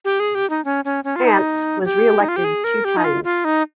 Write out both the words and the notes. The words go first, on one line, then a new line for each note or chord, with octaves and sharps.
Hance was reelected two times.
G4
G#4
G4
D#4
C#4
C#4
C#4
F4
D#4
G4
D#4
F4
G4
G#4
A#4
G4
D#4
F4
F4
D#4